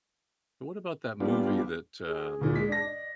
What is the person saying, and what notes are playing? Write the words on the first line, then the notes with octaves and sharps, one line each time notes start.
And what about that movie that, um,
G3 B3 D4 F4
G#4
D2 A#2 E3
G#3 B6
D4 D5 A#6
D#5